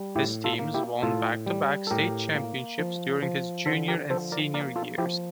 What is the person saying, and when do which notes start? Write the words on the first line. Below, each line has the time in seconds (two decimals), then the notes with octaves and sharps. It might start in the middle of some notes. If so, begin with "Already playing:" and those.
His teams won back-to-back state championships during his junior and senior years.
Already playing: G3
0.16 A2 E4 G4
0.44 F4 A4
0.59 A#3
0.74 E4 G4
1.03 A2 F4 A4
1.46 G3
1.87 A4
1.91 A2 G4 A#4
2.35 A#3
2.78 F3
3.22 F3
3.66 D3 A4 C5
3.88 G4 A#4
4.10 F3 A4 C5
4.32 A#4 D5
4.54 A#3 A#4 D5
4.76 F4 A4
4.98 F3 E4 G4